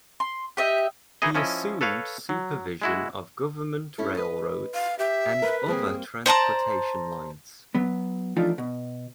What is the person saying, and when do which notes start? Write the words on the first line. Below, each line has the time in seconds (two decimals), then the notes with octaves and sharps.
He assumed supervision of government railroads and other transportation lines.
0.20 C6
0.57 G4 D#5 E5
1.22 E3 D#4 E4 G#4 D#5
1.35 F3 C#4 E4 D#5
1.81 A4 B4 C#5 F5
2.29 F#3
2.82 G#3 E4 F#4
3.98 C#4 E4 A4
4.17 B4 D#5
4.74 F5
4.99 G4 E5
5.42 A#4 B4
5.66 G3 A#3 C4 G#4
6.26 C5 D5 A5 A#5
7.75 F#3 B3
8.36 E3 F3 A3 D4 D#4 F4
8.58 B2